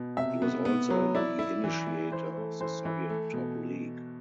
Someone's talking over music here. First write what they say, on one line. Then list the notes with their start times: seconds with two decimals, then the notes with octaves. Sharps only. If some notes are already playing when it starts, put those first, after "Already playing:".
He was also the initiator of the Soviet Top League.
Already playing: B2
0.17 C3 E5
0.42 B3
0.65 B3
0.90 F#3
1.15 E4 D5
1.39 E4
1.64 E3
1.87 E3
2.11 E3 C5
2.37 A3
2.61 E3 C5
2.85 E3
3.09 A3
3.33 B2